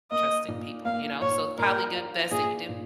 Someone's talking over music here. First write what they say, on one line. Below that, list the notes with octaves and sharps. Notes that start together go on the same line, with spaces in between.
trusting people, you know? So, it's probably good best that you did
A#3 D#5
A#2
A#3 F5
A#2 C#5
A#2 A#4
F4
A#2 G#4
A#2